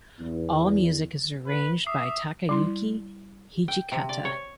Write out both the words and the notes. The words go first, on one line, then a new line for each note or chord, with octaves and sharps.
All music is arranged by Takayuki Hijikata.
E2
B4
E5 D6 D#6 C7
G3 E4 C6
G5
C3
D5
C#5